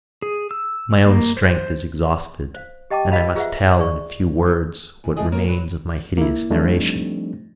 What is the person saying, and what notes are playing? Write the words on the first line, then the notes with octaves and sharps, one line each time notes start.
My own strength is exhausted, and I must tell, in a few words, what remains of my hideous narration.
G#4
E6
A#3
C5
C5 F5
G4 D#5 G5 A5 D6
B4 D#5 F5 A5 B5
F4 G#4 B4 C5 E5 F#5
G#4 D5 C#6
E2
G#3 A3 G#4 D#5
A#3 A#4 C#5
F#3 B4
A#3 E4
F3 G3 A3 C4 D4 D#4